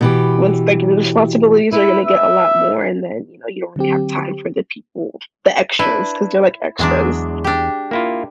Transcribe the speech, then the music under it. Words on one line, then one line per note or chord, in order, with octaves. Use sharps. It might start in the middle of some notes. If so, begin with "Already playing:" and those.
Once the, like, re responsibilities are gonna get a lot more and then, you know, you don't really have time for the people, the extras, 'cause they're like extras.
B2 E3 G4
E4 B4
E5
D3 F#3 C4 G4
D4 E4 B4
E2 F#3 G#3 D4
D4 G4
A#3 E4 F4